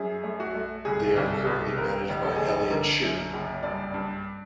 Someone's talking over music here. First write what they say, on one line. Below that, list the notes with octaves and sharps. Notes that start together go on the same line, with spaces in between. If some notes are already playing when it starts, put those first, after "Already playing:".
They are currently managed by Elliott Sheeran.
Already playing: F#2 G#4
A3
F#4
A3
C2 G#4
C2
A4
C2
D#2 A#4
F1
A4
F1 G#4
A4
D3 A#4
F#2
F#1
G2 D5
G2